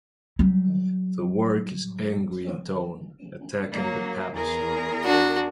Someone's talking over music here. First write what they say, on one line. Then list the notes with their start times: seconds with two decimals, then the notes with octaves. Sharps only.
The work is angry in tone, attacking the papacy.
0.39 F#3 G3
3.72 F#3 A#3
4.34 E2 G#4 A#4
5.05 D4 F#4